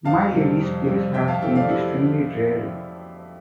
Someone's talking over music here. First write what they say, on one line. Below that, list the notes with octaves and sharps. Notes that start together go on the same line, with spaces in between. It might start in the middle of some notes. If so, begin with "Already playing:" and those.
My Lady's place has been extremely dreary.
F2 F5 A5
C3 G3 C4
F2
C3 G3 C4
F2 E5 G5
F5 A5
E3 A3 C4 E5 G5
D5 F5
E4 G4